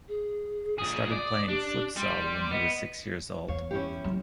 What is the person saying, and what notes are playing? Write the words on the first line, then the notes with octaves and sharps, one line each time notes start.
He started playing futsal when he was six years old.
G#4
A#2 G#4 D#6
D5
D4 G4
G3 C6
B3 D#5
E2 C#5 F5
C#4 E4 G4
F#3 C4